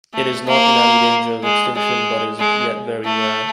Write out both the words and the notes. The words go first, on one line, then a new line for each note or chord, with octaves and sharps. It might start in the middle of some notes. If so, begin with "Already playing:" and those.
It is not in any danger of extinction, but is yet very rare.
A3
A#3
G#3
G#3
G#3
A3